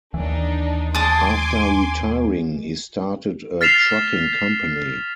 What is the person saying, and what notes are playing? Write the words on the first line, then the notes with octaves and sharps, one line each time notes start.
After retiring, he started a trucking company.
D#2 E3 D4 D#4
G#5 A5 C6 D6 D#6
F6 A6 B6 C7 E7 F7